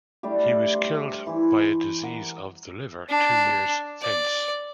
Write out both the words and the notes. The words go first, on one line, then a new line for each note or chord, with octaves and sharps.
He was killed by a disease of the liver two years thence.
G3 A3 D4 G4
C5
E3 G#5
A#4 F#5
D4
D5